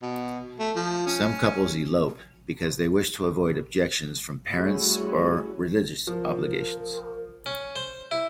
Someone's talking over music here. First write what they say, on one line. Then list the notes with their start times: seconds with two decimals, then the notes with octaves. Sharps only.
Some couples elope because they wish to avoid objections from parents, or religious obligations.
0.02 B2
0.60 A3
0.76 F3
1.07 C#4
4.53 G3 A3 C#4 E4 F#4 G#4
6.07 F3 A#4
7.46 C#4
7.76 C5
8.11 E4